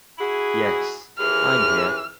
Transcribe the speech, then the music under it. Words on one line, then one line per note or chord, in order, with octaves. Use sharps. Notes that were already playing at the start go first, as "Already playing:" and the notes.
Yes, I'm here.
E4 F#4 G#4
D#2 E3 G#4 F6